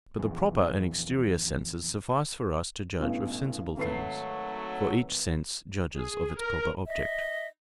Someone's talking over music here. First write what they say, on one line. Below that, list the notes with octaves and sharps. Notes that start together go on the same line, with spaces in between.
But the proper and exterior senses suffice for us to judge of sensible things; for each sense judges of its proper object.
A#1 E2
A1 G2 B2
G#1 F#3 A3 B4 C7
G#4
A#4
D#5 E5